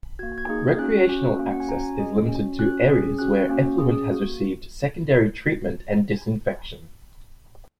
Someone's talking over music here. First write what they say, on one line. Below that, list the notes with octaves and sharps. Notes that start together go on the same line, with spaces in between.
Recreational access is limited to areas where effluent has received secondary treatment and disinfection.
A#3 F#4 G#6
G#6
A#3 D#4 G#4
C#4 F#4 F#6
C#4 F#4
A#3 C#4 F#4
F#5
G#5
C#4 F#4 A#5
G#5
C#4 G#4 D#5
C#4 F#4
C#4 F#4 F#6
C#4 G#4
C#4 F#4 F#6
A#3 C#4 F#4
C#4 G#4 D#6
A#3 F#4